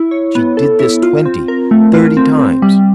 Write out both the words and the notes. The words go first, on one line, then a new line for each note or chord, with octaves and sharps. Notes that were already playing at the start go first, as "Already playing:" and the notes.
She did this, twenty, thirty times.
Already playing: E4
C#5
B3
A4
E4
F4
C4
A#4
A3
F4
C4
C4
G3